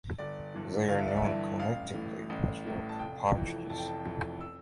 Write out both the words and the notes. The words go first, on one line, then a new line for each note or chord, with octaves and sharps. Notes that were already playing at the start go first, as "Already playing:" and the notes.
They are known collectively as rock partridges.
G1 D5
G2 E3
G1 F5
E5
D5
E5
G2 E3
A1 F5
A2 E3
A1
A2 E3
A5
F1 G5
F2 E3
F1 A5
G5
A5
F2 E3
E6